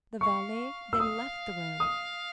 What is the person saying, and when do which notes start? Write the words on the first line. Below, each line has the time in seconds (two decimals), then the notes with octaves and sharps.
The valet then left the room.
0.21 F5 C#6
0.93 E6
1.00 F5 D#6
1.80 D#6